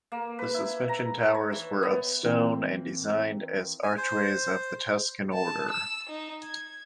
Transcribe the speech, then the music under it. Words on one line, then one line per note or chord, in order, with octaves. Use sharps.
The suspension towers were of stone, and designed as archways of the Tuscan order.
A#3
B4
E4
A#5
C#5
E3
B3
E3 A#3 C4
G#5
C5
A5
E6
D#4
G#6